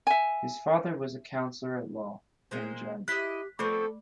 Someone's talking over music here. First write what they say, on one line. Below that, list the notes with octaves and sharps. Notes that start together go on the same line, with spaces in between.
His father was a counselor-at-law and judge.
E5 G#5
A#2 G#3 C5
E4 G4 D#5 F#6 B6
F3 A3 B3 C4 A4 C#6